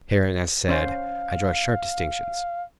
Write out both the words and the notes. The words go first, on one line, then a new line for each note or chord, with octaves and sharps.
Herein, as said, I draw sharp distinctions.
C#4 C5 F5